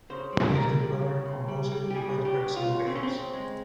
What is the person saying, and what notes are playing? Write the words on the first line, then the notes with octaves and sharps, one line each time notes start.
He is the brother of composer Rupert Gregson-Williams.
C#3 C5
G3
G3 A#4
G3
C#3
C#3
G3
G3
G4
G3 G#4
C#3
G4
C#3
F4
C#3
C#3 C4
C#4
C4
C#3
G#3